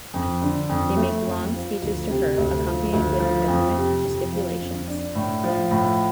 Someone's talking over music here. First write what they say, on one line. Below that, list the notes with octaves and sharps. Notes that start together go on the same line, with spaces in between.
They make long speeches to her accompanied with vehement gesticulations.
F2
D3
F2
A3
F2
F3
D2
C3
D2
F3
D2
F3
F2
C3
F2
F3
F2
D4
A2
F3
A2